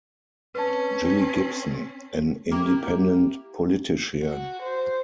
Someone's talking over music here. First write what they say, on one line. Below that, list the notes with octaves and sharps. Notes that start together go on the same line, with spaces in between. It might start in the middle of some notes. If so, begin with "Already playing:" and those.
Jilly Gibson, an independent politician.
C4 C#4 B4 A5
A#3 E4 G4 A#4
F#4
C5